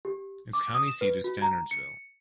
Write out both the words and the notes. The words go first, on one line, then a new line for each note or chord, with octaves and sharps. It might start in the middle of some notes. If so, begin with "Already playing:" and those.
Its county seat is Stanardsville.
G4
D6
D#6
E7
B4
F#4
A#5
C#7